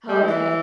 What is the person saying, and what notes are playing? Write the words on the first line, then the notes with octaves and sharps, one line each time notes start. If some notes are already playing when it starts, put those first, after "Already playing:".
Oh, okay.
G3
E3